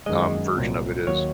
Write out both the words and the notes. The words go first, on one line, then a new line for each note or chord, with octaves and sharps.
um, version of it is.
F#2 D#3 G#3 D#5
C2 A#2 F#3
D#2 D#3 F#3 C#5